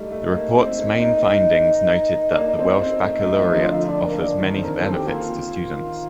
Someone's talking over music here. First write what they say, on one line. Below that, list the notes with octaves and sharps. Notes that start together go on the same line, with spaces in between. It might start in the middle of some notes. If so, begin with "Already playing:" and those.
The Report's main findings noted that the Welsh Baccalaureate 'offers many benefits to students.
Already playing: G3 A3 D#4
A3
A#3
C4
C4
A#3 D#4
D4
A#3 D#4
C4
C4
A3
A3
F3
D3
F4
D#4
D4
A#3
D4
D#3
C4
A#3 A#4
A4
C4
G4
A#3 F4
D#3